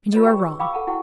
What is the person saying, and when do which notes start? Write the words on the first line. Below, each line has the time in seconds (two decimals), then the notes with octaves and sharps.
"And you are wrong."
0.13 F4 B4 C#5 D#5
0.25 F#4 G#4 G5 C#6
0.39 E6
0.59 F5 G5 B5 C#6 D6 E6
0.73 A4 F#5 A5
0.87 E4 F#4 F#5 G5 C#6